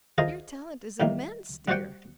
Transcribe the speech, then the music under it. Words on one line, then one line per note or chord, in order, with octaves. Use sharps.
"Your talent is immense, dear!"
F4 G#4 A#4 C5 D#5
A2 D#3 G3 A#3
G3 F#4 C5 D5 F#5 G5